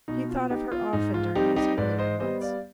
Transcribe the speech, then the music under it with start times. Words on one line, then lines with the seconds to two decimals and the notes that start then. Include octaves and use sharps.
He thought of her often during these earlier months.
0.08 B2 D#4
0.29 F4
0.50 B3 D#4 G4
0.72 F4
0.93 G#2 D#4
1.14 F4
1.35 G3 C4 D#4 G4
1.56 D#4 G4
1.78 G#2 B4 D5
1.99 C5 D#5
2.20 G3 B3 C5 D#5
2.41 D5 F5